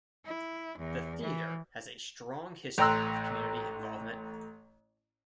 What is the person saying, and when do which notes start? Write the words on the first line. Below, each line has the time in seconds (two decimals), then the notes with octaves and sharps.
The theatre has a strong history of community involvement.
0.25 E4
0.77 E2
1.23 E3
2.78 A1 G5 A#5 C6 E6 F#6